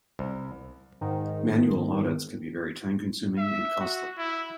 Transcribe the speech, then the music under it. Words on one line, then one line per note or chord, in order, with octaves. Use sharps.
Manual audits can be very time-consuming and costly.
C2
G#2 D#3
E5
F#4
E4